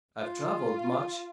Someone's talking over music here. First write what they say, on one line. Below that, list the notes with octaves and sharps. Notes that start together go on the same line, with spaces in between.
I've travelled much.
F4